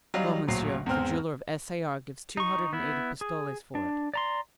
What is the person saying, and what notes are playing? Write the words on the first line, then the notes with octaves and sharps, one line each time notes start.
"Well, monsieur, the jeweler of S. A. R. gives two hundred and eighty pistoles for it."
F#3 G3 D#4 F5
D1 A#1 F#3 C7
E2 G#2 C4 F6
D#4 C#6
B3 E4
G#4
D4
D5 A#5 C6